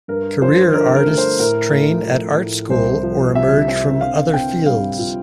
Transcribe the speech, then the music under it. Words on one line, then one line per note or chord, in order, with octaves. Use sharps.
Career artists train at art school or emerge from other fields.
G2 A#4
F3 C5
D3 A#4
A#4
A3
C5
A2 A#4
A3
F3
A2
C2 C5
F3
C3 E5
C4 E5
D3 F5
C4 G5
G3 F5
F4